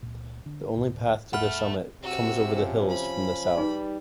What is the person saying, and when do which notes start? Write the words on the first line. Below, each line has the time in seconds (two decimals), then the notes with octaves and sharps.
The only path to the summit comes over the hills from the south.
0.03 C#2 A#2
0.46 D3 D4
0.77 D2 A2
1.33 E1 A4 E5 F#5 B5 F6
2.03 C3 F#4 E6
2.51 F3 C#4
2.89 B5
3.58 G3 D#4 G#4 B4